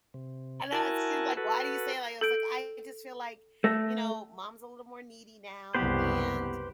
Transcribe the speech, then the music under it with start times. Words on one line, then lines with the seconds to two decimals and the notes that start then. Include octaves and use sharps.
and I was she was, like, "Why do you say that?" I was, like, "I just feel, like, you know, mom's a little more needy now and"
0.14 C3
0.72 E4 F#4 A#4 G#5 A5
1.37 F#4 A4 B4
2.21 A4 G6 D7
3.64 A3 A#6
5.75 F#1 C2 B3 G4 B4 C5